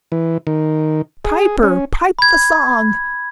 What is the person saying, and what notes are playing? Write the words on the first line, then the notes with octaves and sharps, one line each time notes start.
Piper, pipe the song!
E3
D#3
G#4
C#4
B5 G#6